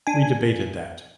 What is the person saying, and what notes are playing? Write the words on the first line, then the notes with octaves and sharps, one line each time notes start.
We debated that.
D4 G#5